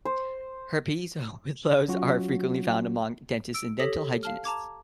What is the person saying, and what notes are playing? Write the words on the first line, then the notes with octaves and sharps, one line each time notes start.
Herpes whitlows are frequently found among dentists and dental hygienists.
C5
F#3 C#4 F4 F#4
E6 D7
G4 A4 C#5 D#6 A#6 B6
F5 A5 F6
A5 A#5 D6 G#6